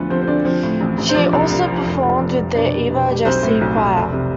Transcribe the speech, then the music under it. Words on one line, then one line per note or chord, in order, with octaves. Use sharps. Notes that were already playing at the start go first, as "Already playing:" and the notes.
She also performed with the Eva Jessye Choir.
Already playing: D2 F3 A3 B3 A4 B4
F3 C4 C5
C5
D2 D4 D5
F3 C4 C5
A2
A1
A1
C5
F3 D4 D5
C2
C2
F3
F1
F3
F1
F1
B2 D4 D5
G3
B2
G3
B1 C4 C5
A2
B1
B1
F1
C3